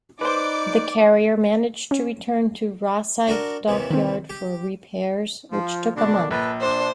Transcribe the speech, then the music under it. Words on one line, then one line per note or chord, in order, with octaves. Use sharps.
The carrier managed to return to Rosyth Dockyard for repairs, which took a month.
D#4 B4 C5 D5 D6
C#4
D4 F#4 A#4
D#2 C3 E3
D#3 C4
G4
F3
B2 D3 D4
A#1 A4 B4
D4 C5